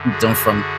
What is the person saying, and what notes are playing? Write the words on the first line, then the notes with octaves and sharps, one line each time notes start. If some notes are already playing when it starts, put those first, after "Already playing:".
done from
Already playing: F#2 D3
F#4 G#4